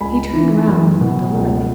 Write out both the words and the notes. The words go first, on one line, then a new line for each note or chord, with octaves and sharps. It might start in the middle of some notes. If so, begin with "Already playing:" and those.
He turned round deliberately.
C#2 G#5 B5
E3
F#1
B2
C#2